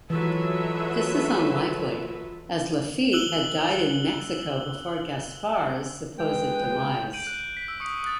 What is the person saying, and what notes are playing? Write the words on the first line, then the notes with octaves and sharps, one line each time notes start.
This is unlikely, as Lafitte had died in Mexico before Gaspar's supposed demise.
E3 F#3 G#3 F4 A4 B4 E5
E6 F#6 F#7 G7
G#3 B4 G5
G6 D7 D#7 F#7
F#6
B6
E6
C#6 D#6 C#7
D#6 F#6 A6